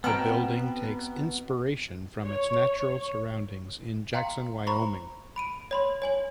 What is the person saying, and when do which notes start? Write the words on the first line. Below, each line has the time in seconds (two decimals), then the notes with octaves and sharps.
The building takes inspiration from its natural surroundings in Jackson, Wyoming.
0.04 B2 B3 C4 G5 A5 A#5 F6
2.24 C#5
4.13 F5 G5 A#5 C6
4.67 C5 A#5 B5 C#6
5.36 B5 D7 D#7
5.71 C#5 B5 C6
6.02 C#5 G#5 F#7